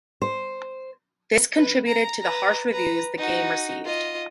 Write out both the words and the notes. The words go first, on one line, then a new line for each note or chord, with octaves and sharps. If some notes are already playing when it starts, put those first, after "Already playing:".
This contributed to the harsh reviews the game received.
C5
B4
A#5
B4 A#5
B4 A#5
D#4 F#4
F4 D#5